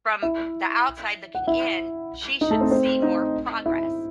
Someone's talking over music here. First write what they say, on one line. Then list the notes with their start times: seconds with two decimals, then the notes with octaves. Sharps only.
from the outside looking in, she should see more progress.
0.22 E4 E5
1.35 F#5
1.47 E4 E5
2.41 D#4 D#5
2.50 A3 A4
2.61 C4 C5
2.71 C4 C5
3.02 D#4 D#5
3.66 E4 E5